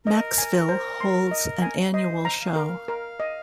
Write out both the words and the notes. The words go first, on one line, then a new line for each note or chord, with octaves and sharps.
Macksville holds an annual show.
A#4 D#5
G#5
C5
C6
D#5
G#5
C5 D#5
A#5
F5
A#4
A#4
D#5